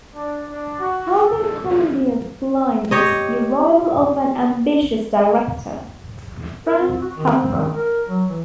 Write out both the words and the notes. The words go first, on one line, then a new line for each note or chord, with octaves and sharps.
Helping Columbia's climb was the arrival of an ambitious director, Frank Capra.
D4
D4
F#4
A4
G4 C#5 D#5
A#4
C4
F#4
D#3
C4
D#3
A#4
F#3
E3